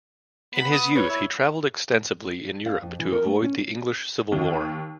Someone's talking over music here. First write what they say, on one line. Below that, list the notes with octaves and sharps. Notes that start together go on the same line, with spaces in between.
In his youth he travelled extensively in Europe to avoid the English Civil war.
B3 B5
D#6
B4 C#5
E4
F5
F2
E3
A#4
A3
C#4
D#2